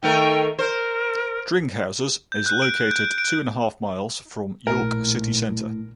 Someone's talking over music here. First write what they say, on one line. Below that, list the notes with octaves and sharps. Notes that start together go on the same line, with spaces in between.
Dringhouses is located two and a half miles from York City Centre.
D#3 A3 A#4 G5
A#4 C5
G6
F#6
D7
G6
D7
A#1 A2 A#4